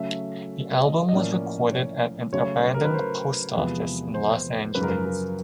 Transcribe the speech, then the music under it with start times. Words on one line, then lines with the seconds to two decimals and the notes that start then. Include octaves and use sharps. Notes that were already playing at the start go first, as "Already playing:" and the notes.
The album was recorded at an abandoned post office in Los Angeles.
Already playing: C#3 F#3 A3 C#4 E5
0.81 D#5
1.09 D#5
1.12 A2 F3 A#3 C#4 D5
1.72 C#5
2.33 C#3 F#3 A3 C#5
2.74 A#4
2.84 B4
2.94 C5
3.54 E2 C3 F3 G#3 B3 B4
4.14 C5
4.75 F#2 C#3 F3 B4
4.83 A#4
4.90 B4
5.05 A#4